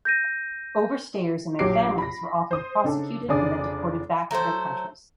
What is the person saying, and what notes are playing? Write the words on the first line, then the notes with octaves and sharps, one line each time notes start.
Overstayers and their families were often prosecuted and then deported back to their countries.
G6 A#6 D#7
A#1 F#3 G4 D6 C7 D7
B5 A#6
C5 D#6
C#3 D4 D#4 A4
F1 C#3 D4 G#4 D5 D#6
F#3 A3 A4 C5